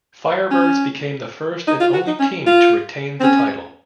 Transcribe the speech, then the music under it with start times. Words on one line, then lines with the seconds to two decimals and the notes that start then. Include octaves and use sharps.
Firebirds became the first and only team to retain the title.
0.51 C#4
1.68 D#4
1.80 F4
1.94 F#4
2.07 D#4
2.20 C#4
2.46 F4
3.20 C4
3.23 C#4